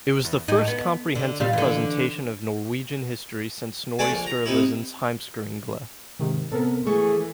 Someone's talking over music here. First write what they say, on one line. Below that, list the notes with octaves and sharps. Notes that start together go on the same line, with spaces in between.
It was the first comprehensive presentation of Norwegian history since Snorri Sturluson's Heimskringla.
E2
A2 D#4
B3
D3
A#2 G3 F5
D3 E3
A3 D4 D5 G#5
A#1
A#5
C3 D#4 E4
G#2 C3 D#3
C3 B3 A4 A#4
E3 A3 G#4 C#6